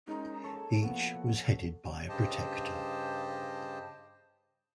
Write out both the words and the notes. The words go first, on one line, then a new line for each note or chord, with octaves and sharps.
Each was headed by a Protector.
G#3 C#4 D#4 A#4 C5
A4 C#5 A5
F3 A#3 B3 F#4 F#5
G2 C#3 G4 C5 D#5 A5